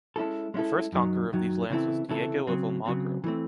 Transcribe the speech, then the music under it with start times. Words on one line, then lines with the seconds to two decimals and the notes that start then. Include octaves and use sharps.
The first conqueror of these lands was Diego of Almagro.
0.16 G#3 C#4 E4 A4
0.54 G#3 C#4 E4 A4
0.93 F#2 D#3 F#3
1.32 F#2 D#3 F#3
1.70 C#3 E3 C4 E4 A4
2.09 C#3 E3 C4 E4 A4
2.47 C#3 F#3 C4
2.86 C#3 F#3 C4
3.24 E3 A3 C4